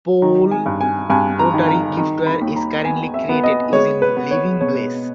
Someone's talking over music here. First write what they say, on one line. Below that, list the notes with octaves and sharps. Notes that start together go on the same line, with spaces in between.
Poole Pottery giftware is currently created using "Living Glaze".
D#3 A#5
G#5
G2
G#5
G2 G#5
A#5
D#3
A#5
D#3 A#5
B5
D#2
A#5
B3 G#5
E5
B3
D#5
G#3 C#5
B4
B3
C#5
B2 C#5